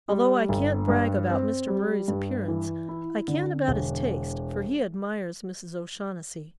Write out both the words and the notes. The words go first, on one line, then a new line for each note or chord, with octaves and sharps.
Although I can't brag about Mr. Murry's appearance, I can about his taste, for he admires Mrs. O'Shaughnessy.
G3
G1
G2
C4
G3
G2
E3
E4
D3
E1